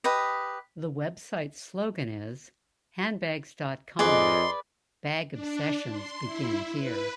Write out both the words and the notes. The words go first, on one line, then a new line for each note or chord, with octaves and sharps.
The website's slogan is, "Handbags dot com: Bag Obsessions Begin Here".
G4 B4 D#5
F2 G#4 B4 D5 D#5 C6
D4
C6
E4
B4